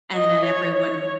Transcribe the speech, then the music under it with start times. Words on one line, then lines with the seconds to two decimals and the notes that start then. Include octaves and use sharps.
and then everyone
0.15 D#5
0.45 C#5
0.75 C#5